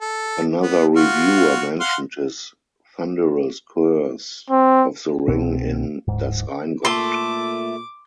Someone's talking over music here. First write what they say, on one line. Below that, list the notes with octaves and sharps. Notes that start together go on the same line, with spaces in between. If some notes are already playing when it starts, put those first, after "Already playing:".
Another reviewer mentioned his thunderous curse of the ring in "Das Rheingold".
A4
B3
F4 F#4 F6
F5 F#5 C6
C4
C2 B2 C4
D1 G#2
A#2 A3 A4 C6 D6